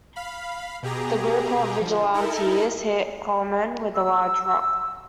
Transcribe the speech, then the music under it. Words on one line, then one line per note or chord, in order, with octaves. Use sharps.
The group of vigilantes hit Coleman with a large rock.
F5 B5
B2 G4 G#4 A#5
D3 F3
D#4 E4 A4 A#4
E6